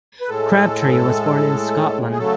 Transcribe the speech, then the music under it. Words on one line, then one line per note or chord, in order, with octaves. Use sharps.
Crabtree was born in Scotland.
B4
A2 G#3 A4
G#4
C#3 F#3 A3 A4